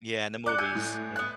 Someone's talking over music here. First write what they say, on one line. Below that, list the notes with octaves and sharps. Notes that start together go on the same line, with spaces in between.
Yeah, in the movies. Yeah.
D5 D6 F#6 C#7
G#5 E6 G6 C#7
A2
B3 F#6